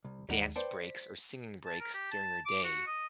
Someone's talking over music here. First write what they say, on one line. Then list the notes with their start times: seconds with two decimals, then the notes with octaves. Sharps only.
dance breaks or singing breaks during your day
0.05 C2
0.29 D#2 G3 G#3 D#4 F#5
0.56 B4 C5 D5 G5 A5 C#7
0.85 B6
1.65 A5
1.80 A#4
1.94 G4
2.11 A5
2.45 D6
2.64 F#4
2.87 D#5